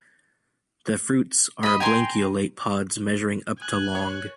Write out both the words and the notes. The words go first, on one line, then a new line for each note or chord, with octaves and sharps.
The fruits are oblanceolate pods measuring up to long.
D#5 B5
G5 G#5 A#5 C6
G#5 F#6
C#5